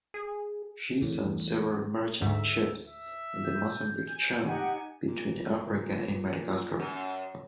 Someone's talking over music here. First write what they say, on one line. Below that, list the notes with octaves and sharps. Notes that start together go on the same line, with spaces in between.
She sank several merchant ships in the Mozambique Channel between Africa and Madagascar.
G#4
E2 A2
D2 G#2 E5
E5
G6
G#5
D#4 G4 F#5 G#5
A#2
F#2